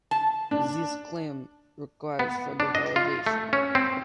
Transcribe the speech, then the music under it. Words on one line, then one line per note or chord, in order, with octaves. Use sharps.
This claim requires further validation.
A5
D4
B3
D4
D#5
F4
A3
C#4
C4